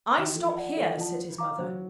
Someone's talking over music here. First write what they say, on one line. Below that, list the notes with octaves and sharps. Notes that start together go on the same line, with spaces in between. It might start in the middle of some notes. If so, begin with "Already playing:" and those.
'I stop here!' said his mother.
D#3
E3
F3 A4
D5 F#5 A5
E3 A4
F3 D5 F#5 A5
C5
F5 A#5 D6
F#3 C5